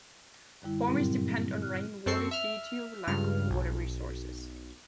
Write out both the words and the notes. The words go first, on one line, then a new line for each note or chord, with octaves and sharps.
Farmers depend on rain water due to lack of water resources.
F#2 D3 G3 E4
G2 A#2 F#3 G3 C4 E4
G3
F6 F#6
F#2 C4 A4 C#6 C7
E5 F6
C#2 G2 F6
B1